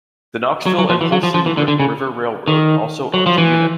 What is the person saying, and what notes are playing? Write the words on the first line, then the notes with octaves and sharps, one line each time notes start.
The Knoxville and Holston River Railroad also owns a unit.
F#3
F#3
F3
E3
F#3
F3
F3
E3
D3
D3
C#3
D#3
F#3
F3
E3